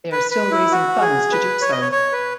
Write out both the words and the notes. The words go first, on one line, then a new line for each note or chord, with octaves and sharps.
They are still raising funds to do so.
B4
B4
E4
F#4
G#4
B4
C#5
D#5
C#5
C#5
B4